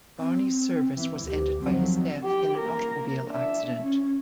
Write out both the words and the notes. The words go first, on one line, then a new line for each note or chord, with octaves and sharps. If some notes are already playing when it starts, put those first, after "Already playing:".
Varney's service was ended by his death in an automobile accident.
C4
E3
D2 G4
D#3 F3 F#3 C4
G4
A#3 A#4
D4 E5
C#4